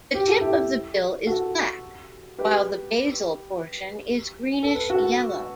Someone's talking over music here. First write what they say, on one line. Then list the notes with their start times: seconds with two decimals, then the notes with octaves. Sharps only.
The tip of the bill is black while the basal portion is greenish yellow.
0.14 G4
0.27 A4
0.41 E4 G4
1.27 F#4 A4
2.38 G4 B4
4.63 A4
4.75 B4
4.90 F#4 A4